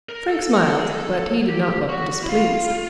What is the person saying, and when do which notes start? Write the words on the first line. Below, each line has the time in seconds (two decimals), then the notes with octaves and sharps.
Frank smiled, but he did not look displeased.
0.09 A#4
0.29 A4
0.43 A4
0.56 A#4
0.67 A4
0.79 G#4
0.91 A4
1.49 G4
1.89 F#4
2.23 E4
2.29 F4